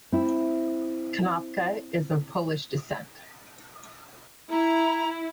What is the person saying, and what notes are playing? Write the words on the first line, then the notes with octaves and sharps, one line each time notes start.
Konopka is of Polish descent.
C4 E4
E4 A#5